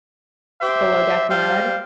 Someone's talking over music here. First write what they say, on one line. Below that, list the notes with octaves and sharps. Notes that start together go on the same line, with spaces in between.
Below Deck Med,
G4 C5 E5
G3 C5 F5